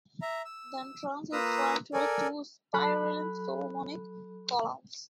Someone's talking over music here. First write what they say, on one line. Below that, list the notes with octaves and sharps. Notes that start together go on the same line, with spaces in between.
The entrance is flanked by two spiraling Solomonic columns.
E5 A#5
E6
A#3 F4 B4 A#5 D#6 E6
A4 A#4 D5 G#5
F#3 A4 B5 F#6